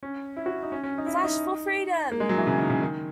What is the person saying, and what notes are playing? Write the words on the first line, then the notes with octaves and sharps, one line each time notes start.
Flash For Freedom!
C#4
E4
F#4
D#4
C#4
C#4
D#4
E4
D#4
A#3
G#3
F#3
E3
C#3
D#3
C#3
D#3